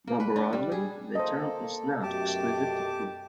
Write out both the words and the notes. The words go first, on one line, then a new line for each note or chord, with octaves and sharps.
More broadly, the term is not exclusive to food.
A#3
B4
D4
G3
G#4
A#3 A4 C5 D#5
F#2 B2 A3 G4 A5 D6